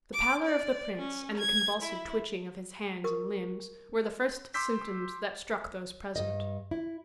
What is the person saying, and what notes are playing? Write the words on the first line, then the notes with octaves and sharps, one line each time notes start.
The pallor of the prince, and the convulsive twitching of his hands and limbs, were the first symptoms that struck those present.
D6
D5
C#4
G#6
E4
A#4 C#6 D#6
C6 D6 E6 G6 B6
G2 D#3 D#5
E4